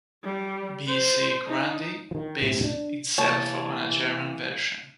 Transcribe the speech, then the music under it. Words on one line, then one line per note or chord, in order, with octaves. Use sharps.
B. C. Grundy, based itself on a German version.
G3
C5
D#4
D#3 F3
B1 F#2 A2 C3
D4
C3 E3 A#3 C#5 A5